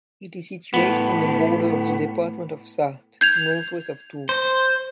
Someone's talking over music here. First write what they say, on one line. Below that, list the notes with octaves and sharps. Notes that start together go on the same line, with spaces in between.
It is situated on the border of the department of Sarthe, northwest of Tours.
A2 B3
G6 G#6 F7
C5